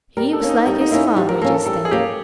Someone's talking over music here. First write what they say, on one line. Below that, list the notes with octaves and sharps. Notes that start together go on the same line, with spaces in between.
He was like his father just then.
G3 A#4
A4
A#3 C#4
D#4
G3 D#4
D#4
A#3 C#4 E4
G3 F4
A#4
A#3 C#4 A4
A4
G3 A4
G#4
A#3 C#4 G4